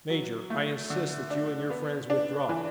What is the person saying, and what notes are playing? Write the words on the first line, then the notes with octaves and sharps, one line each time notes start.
Major! I insist that you and your friends withdraw.
F#3
A3
D3
D4
B3
D4
E3